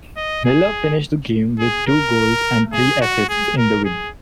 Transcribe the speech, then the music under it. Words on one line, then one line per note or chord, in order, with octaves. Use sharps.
Miller finished the game with two goals and three assists in the win.
D#5
G#4
G#4
A#4
G#4
F#4
G#4
A#4
G#4